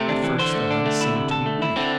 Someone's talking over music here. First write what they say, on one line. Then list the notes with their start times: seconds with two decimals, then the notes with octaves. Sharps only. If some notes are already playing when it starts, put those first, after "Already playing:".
At first the Huns seemed to be winning.
Already playing: C3 A3
0.09 D4
0.24 E3
0.39 D3 C5
0.55 A3
0.71 D4
0.86 A3
1.01 E4
1.15 C3
1.31 A4
1.46 A3
1.62 E4
1.76 D3 C4